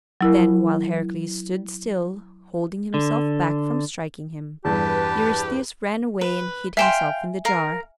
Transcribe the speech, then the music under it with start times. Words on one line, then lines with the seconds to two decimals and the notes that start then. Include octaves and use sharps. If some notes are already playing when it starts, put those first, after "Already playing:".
Then while Heracles stood still, holding himself back from striking him, Eurystheus ran away and hid himself in the jar.
0.21 F#3 E4 A#4
2.94 D3
4.65 E2 G2 G4 B4 A5
6.21 B4
6.77 E5 F5 G5 G#5 C6 E7
7.45 A#4 F5